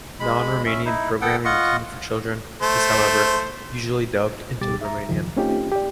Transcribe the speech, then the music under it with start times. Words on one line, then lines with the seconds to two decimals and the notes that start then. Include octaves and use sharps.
Non-Romanian programming intended for children, is however, usually dubbed into Romanian.
0.20 G#3 B5
0.66 C#4 E5
0.85 D#4 E4
1.21 B3 A4 F#5 G5
1.45 F4 D#5 F#5 C#6
2.62 A3 C5
4.61 D2 B2 G3 G4 D6 A6
4.81 E5 A#5
5.09 C#2 F#2 D#3 F3
5.37 A3 C4 C#4 D#4 F4 G4
5.71 G4 D5